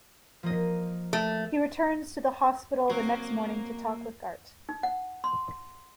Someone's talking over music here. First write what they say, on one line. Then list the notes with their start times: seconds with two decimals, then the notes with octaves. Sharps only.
He returns to the hospital the next morning to talk with Gart.
0.43 F3 A#3 D#5
1.13 A3
2.90 F#3 A#3 C4
4.69 D#4
4.83 F#5
5.24 C6